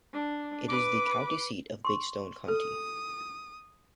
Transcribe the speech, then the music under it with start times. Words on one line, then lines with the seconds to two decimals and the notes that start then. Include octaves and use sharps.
It is the county seat of Big Stone County.
0.14 D4
0.68 B4 D6
1.85 C6 C#6
2.48 A4 D#6